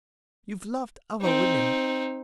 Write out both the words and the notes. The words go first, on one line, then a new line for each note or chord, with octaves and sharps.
You've loved other women.
C4 D#4